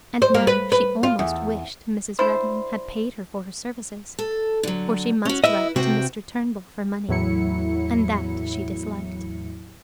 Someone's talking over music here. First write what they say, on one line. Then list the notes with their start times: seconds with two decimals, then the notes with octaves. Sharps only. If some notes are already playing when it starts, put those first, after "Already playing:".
And now she almost wished Mrs. Redmain had paid her for her services, for she must write to Mr. Turnbull for money, and that she disliked.
0.22 C5
0.34 A#3
0.47 B4
0.72 B4
1.03 F4
1.19 E2
2.19 D4 E4 C5
4.19 A4
4.63 D3 F#3
5.25 C#4 F#4
5.44 E4 B4 D#5 E5
5.76 C3 F#4 C5 G5
7.08 E2 A2 F#3 E4 C#7